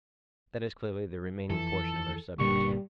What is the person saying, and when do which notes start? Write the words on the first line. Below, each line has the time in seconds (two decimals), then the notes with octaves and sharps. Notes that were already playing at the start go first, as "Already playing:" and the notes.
That is clearly the remaining portion of our subject.
1.50 F2 E3 A4
2.39 F#1 C2 G2 A#2 D3 G3 C#6